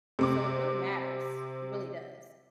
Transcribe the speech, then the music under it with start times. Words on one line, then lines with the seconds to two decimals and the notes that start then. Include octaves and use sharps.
So, it really matters. It really does.
0.19 C3 C4 D6